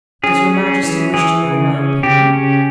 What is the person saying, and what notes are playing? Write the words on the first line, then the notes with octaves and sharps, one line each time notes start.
"Does your majesty wish to know my opinion?"
C#4 G#4
C#4
E3
E3 G#4
C#3
C#4
C#3 G4
C#4